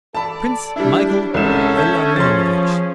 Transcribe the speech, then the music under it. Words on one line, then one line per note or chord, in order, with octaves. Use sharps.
Prince Michael Ilarionovich!
A4 D5 A5 B5
G3 D4 E4
C2 G#3 C#4 A4 E5 E7
C#5 A5 G6
F3 G#4 C6 A6